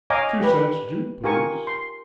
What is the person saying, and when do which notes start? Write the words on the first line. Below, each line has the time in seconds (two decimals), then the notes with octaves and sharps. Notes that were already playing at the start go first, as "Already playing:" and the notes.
"Two cents due, please."
0.10 C#5 D#5 F5 G#5 A#5 D6
0.41 G4 B4
1.24 F4 G4 A#4 G#5 C#6
1.67 C6